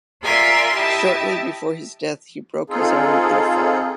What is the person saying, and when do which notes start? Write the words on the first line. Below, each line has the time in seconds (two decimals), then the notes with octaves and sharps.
Shortly before his death he broke his arm in a fall.
0.22 F4 A#4 D5 E5 G#5 C6
0.73 E4 G4 D#5 E5 A5
2.70 C4 D#4 F4 G#4 A4